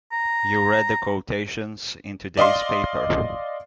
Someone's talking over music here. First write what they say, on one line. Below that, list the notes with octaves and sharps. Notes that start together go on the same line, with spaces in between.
You read the quotations in today's paper.
A#5
D5 D#5 F5 C6